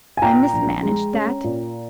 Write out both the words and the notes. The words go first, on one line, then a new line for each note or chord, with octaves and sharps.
I mismanaged that.
G#5
A#2 G5 A#5
A#1
G#3
C#4
A#2